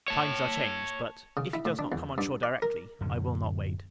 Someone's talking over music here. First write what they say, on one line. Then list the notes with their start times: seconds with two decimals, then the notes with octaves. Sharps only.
Times are changed; but, if he does not come on shore directly, I will not wait.
0.08 C#5 A5
1.37 C#3
1.53 E4
1.65 A2
1.79 D4
1.92 E2
2.18 G2
2.43 D5
2.62 A#4
3.01 D1 F#2 B2 D3